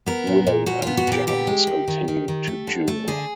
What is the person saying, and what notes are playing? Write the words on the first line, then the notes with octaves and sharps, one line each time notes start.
Willow and Giles continue to duel.
B3 A#4
A#2
A#2
A#2 F#4
B3 F4
F#4
A#2 G4
B3 G4
G#3
D#3
D#3
D#3
D#3
A3
D3
A3
D3 G#4